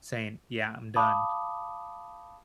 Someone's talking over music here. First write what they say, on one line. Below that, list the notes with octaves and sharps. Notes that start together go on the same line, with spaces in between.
saying, "Yeah, I'm done."
F5 A5 B5 D6 D#6